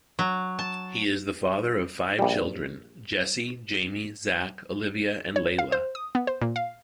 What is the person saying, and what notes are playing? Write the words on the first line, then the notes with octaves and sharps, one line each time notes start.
He is the father of five children: Jesse, Jamie, Zak, Olivia and Layla.
F#3
A5
A#1 G3
C#5
F5
C5
D#6
B3
C5
A#2
F5